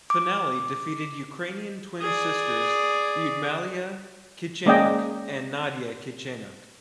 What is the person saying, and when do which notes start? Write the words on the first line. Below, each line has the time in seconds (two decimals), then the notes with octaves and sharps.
Finale defeated ukrainian twin sisters Lyudmyla Kichenok and Nadiia Kichenok.
0.10 D6
2.01 G#4 D5
4.66 G#3 A#3 C#4 D5 D#5 G5